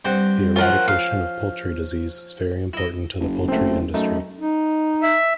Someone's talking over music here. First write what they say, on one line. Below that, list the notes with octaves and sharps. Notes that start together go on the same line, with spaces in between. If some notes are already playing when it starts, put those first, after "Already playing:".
The eradication of poultry disease is very important to the poultry industry.
G2 C4 C5 F#5
F3 C#4 F4 A#4 F#5
F5
E4 D#5
F#1
A3 C4
F#2 A3 D#4
D#4
E5